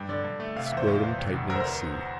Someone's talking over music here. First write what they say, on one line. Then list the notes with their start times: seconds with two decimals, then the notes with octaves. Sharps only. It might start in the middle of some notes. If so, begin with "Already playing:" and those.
The scrotumtightening sea.
Already playing: G2
0.09 D3 D5
0.25 G2
0.40 A3
0.56 C3 F5
0.66 E5
0.72 E2
0.77 C5
0.87 E2 F4
1.03 E2
1.19 C3
1.34 D2
1.50 D2 A#4
1.56 C5
1.60 A#4